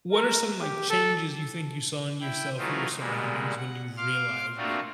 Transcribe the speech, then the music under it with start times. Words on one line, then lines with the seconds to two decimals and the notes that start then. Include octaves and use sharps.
what are some, like, changes you think you saw in yourself or your surroundings when you realized it?
0.13 A#4
0.61 G4
0.90 A4
2.20 E4 G5
2.57 E3 F#3 A3 D#4 F4
2.98 A#2 D3 G3 G#3
3.57 F#5
3.97 F5 C6 D6 F6
4.57 A3 A#3 C4 D4 F4 F#4